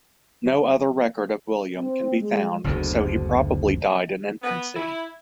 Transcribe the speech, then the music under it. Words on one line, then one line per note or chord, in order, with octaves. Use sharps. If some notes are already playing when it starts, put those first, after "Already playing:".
No other record of William can be found so he probably died in infancy.
C4
G#3
F#1 D2 B2 D3
B3
E4